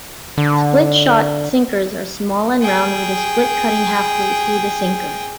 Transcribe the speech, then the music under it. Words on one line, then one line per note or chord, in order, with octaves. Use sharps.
Split-shot sinkers are small and round with a split cutting halfway through the sinker.
D3
G#4 G5